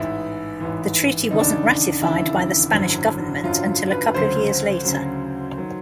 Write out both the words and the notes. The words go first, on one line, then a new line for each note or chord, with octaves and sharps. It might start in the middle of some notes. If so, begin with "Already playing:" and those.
The treaty wasn't ratified by the Spanish government until a couple of years later.
Already playing: A1 G#2 E3 E4
A1 G#2 E3
E1 D#2 C#3 D#4
D4
D#4
E1 D#2 C#3 E4
G#1 F#2 D3 F#3
G#1 F#2 D3 F#3 F4
B4
D2 C#3 F#3 C5
D2 C#3 F#3
D#3 F#3